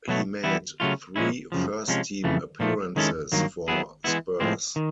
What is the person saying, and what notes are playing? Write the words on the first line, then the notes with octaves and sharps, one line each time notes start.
He made three first team appearances for Spurs.
B2 F#3 A3
E3 G3 B3 E4
C#3 F#3 A3 C#4 F4
A#2 F3 G#3 C#4 E4
F#2 C#3 F3
C3 F3 G#3 C#4
F2 C#3 E3 A3
A#2 F3 A3
D#3 G#3 C#4 E4 A4
G2 D#3 F#3 A#3
F#3 B3 E4 G#4
E3 G#3 B3 E4
A2 F3 G#3 C4
D#3